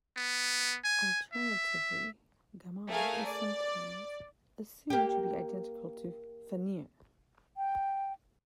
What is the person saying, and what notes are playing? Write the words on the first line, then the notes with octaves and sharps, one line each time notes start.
Alternatively, Garmr is sometimes assumed to be identical to Fenrir.
B3
G#5
E5
A3 G#4 A#4 F5 G#5
D5
A#3 G4
G5